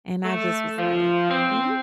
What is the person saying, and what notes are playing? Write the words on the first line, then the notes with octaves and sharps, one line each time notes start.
and I just was like, "Hmm?"
A3
F3
C4